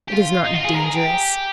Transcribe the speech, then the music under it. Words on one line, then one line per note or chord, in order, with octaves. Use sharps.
It is not dangerous.
G4
F4
D#4
F4
G#4
A#4
G#4
G4